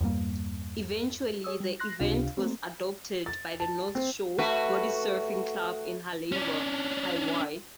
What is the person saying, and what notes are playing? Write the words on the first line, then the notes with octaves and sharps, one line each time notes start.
Eventually, the event was adopted by the North Shore Bodysurfing Club in Haleiwa, Hawaii.
E2 G2 G3 A#3
G#4 C#5 D#6 E6
G3
C6 F#6 A#6
C#2 C3 D4 F4 G4 F5
A3 A#3 C4
A6
A5
C4
A3 F#4 B4
C#4 D4